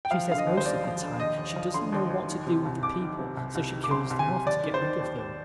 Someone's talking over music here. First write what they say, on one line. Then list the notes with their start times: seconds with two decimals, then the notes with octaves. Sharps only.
She says most of the time she doesn't know what to do with the people so she kills them off to get rid of them.
0.05 G5
0.11 F3 F5
0.28 D3 F5
0.38 D#5
0.47 D#2
0.57 C5
0.65 D#2 D5
0.84 F3
1.02 D3
1.20 D#2 D#5
1.37 D#2
1.56 F3
1.74 D3 C6
1.92 D#2
2.10 D#2
2.29 D#3
2.47 C3
2.65 C2
2.82 C2 D6
3.00 D#3
3.19 C3
3.37 C2
3.55 C2
3.73 D#3
3.83 D6
3.91 C3 C6
4.10 C2
4.19 G#5
4.28 C2
4.46 D#2 D5
4.64 D#3
4.74 C5
4.82 D#3
5.00 D#2
5.18 D#2